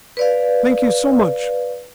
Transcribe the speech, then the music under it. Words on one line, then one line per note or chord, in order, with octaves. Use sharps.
Thank you so much.
B4 D5 F5